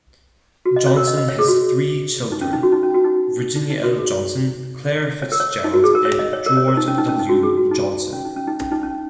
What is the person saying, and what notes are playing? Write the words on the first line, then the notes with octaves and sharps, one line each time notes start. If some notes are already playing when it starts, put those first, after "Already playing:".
Johnson has three children: Virginia L. Johnson, Claire Fitzgerald, and George W. Johnson.
F#4
D#5
C#5
A#4
D#5
D#5
C#5
G#4
F#4
D#4
C#4
D#4
F#4
D#4
C#4
F#4
D#4
D#4
D#4
F#4
G#4
C#5
A#4
C#5
D#4
F#4
G#4
A#4
C#5
D#5
C#5
A#4
C#5
A#4
D#4
C#4
D#4
C#4
D#4
F#4
G#4
F#4
D#4
C#4
D#4
C#4
D#4
C#4
D#4
C#4